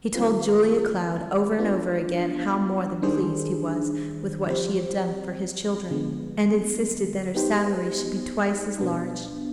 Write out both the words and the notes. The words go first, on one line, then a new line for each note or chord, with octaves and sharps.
He told Julia Cloud over and over again how more than pleased he was with what she had done for his children, and insisted that her salary should be twice as large.
D#3 G3 C4 F4 B4
B3 D4 F4
D#3 G3 D4 G#4 C5
F3 C4 G4 C5
D3 F3 G#3 B3
B3 D#4 G4 C5
B2 B3 D4